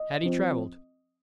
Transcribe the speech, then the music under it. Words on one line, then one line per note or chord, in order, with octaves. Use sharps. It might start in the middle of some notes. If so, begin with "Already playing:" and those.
Had he travelled?
Already playing: D#5
F3 C4